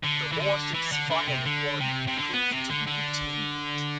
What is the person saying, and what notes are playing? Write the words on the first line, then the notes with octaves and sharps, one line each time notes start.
The warship's final deployment proved to be routine in nature.
D3
E3
D3
E3
D3
D3
C3
D3
C3
C3
D3
B3
C3
D3
D3